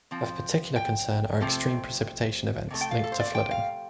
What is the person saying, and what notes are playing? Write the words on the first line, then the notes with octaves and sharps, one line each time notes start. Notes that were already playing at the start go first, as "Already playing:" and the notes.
Of particular concern are extreme precipitation events linked to flooding.
F3 C4
G5
C3 F3 A3 C4
C3 F3 A3
G5
F5
A4
C5
D5
F5
G5
F5